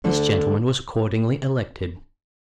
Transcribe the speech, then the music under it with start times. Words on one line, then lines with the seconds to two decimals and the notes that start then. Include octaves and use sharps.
This gentleman was accordingly elected.
0.04 D2 D3 A3 D4